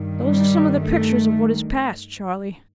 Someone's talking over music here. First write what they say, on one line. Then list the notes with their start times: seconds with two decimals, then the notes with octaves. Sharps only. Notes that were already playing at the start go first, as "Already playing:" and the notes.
'Those are some of the pictures of what is past, Charley.'
Already playing: G2 D#3
0.25 G3
0.82 A3